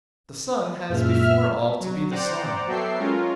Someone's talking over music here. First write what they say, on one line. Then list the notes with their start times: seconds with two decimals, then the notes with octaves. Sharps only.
The sun has before all to be the sun.
0.90 F#2 A#2 G#3 E5 F6
1.80 F#3
2.11 C5 D5 F#5 G5 A#5 D6
2.67 F#3 B3 A4 E5 G5 C7
2.99 G#3 C#4 F4 A#4